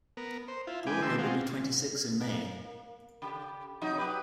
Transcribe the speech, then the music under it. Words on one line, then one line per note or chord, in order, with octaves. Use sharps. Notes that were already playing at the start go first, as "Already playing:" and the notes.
Gloria would be twenty-six in May.
B3 A#4
C5
E4 F4
G#3 B4 G5 G#5 D6
D#3 A3 G5 C6 E6
G#3 C4 F4 F#4
A#3
C#3 G4
C3 F#3 D#4
F#4 G4 B4